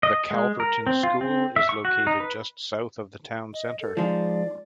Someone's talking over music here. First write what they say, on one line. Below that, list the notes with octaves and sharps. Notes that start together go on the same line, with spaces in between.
The Calverton School is located just south of the town center.
D#5
G#3
A#4
C4
F4
C4
E5
C#6
F#4
D#4
B4
D#5
A4
F3 G#3 D#4 D5